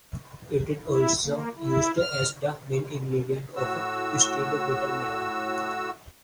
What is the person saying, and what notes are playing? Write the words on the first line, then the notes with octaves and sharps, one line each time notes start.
It is also used as the main ingredient of "stewed bitter melon".
E4
A#3
E4
F6
A2 F#4 E6